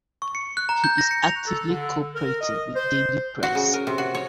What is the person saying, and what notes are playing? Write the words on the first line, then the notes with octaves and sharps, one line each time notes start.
He is actively cooperating with the daily press.
C#6
C#7
F#6
A#5
G6
A#6
C#7
F7
A4
D3
A#4
D#5
C5
F#4
C#3
A#4
C3
F#4
C#5